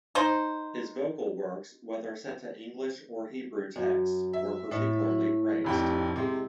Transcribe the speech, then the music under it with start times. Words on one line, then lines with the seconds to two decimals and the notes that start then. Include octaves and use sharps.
His vocal works, whether set to English or Hebrew texts, were particularly praised.
0.15 D#4 C5
3.76 F#2
4.33 E5
4.71 A2
5.64 F1 F2 G4
6.16 C3 G#3